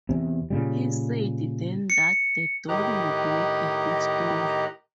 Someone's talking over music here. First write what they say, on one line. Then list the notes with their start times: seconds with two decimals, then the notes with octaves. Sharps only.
He said then that the doll would make a good story.
0.09 E2 C3
0.50 A#2 C#3 G3
1.90 C#7
2.68 A2 D#3 G4 D#5 A#5 F#6